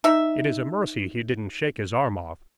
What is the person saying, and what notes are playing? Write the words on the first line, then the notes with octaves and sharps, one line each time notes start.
It is a mercy he didn't shake his arm off.
D#4 E5